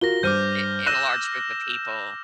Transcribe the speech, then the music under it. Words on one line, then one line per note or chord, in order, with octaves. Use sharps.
in in a large group of people
F4 F#4 A#4 A#6 G7
G2 C5 D6 F6 G6 D#7
E6 F#6 A#6 D#7 E7